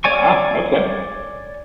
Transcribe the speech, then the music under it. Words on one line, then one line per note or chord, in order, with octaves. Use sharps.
Wow, okay.
C#5 D5 G#5 C#6